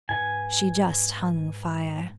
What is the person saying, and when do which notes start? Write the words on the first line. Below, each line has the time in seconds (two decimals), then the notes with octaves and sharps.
She just hung fire.
0.09 G#2 B4 F#5 G#5